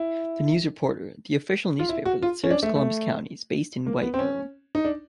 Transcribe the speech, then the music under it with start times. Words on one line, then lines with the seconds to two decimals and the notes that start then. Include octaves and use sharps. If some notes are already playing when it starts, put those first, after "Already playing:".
"The News Reporter," the official newspaper that serves Columbus County, is based in Whiteville.
Already playing: E4
1.79 F4
1.89 E4
2.05 F#4
2.22 F4
2.44 C#4
2.51 D4
2.63 A3
2.75 A3
3.87 A#3
4.02 B3
4.14 C4
4.19 C#4
4.75 D#4
4.85 D4